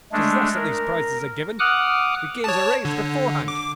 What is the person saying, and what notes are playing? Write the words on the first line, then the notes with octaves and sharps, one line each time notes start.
'Tis thus that these prizes are given; the game's arranged beforehand.
G#3 A3 D4
A#4
F#5 D6 D#6 F6 F#6
C#5 A5
D3
D6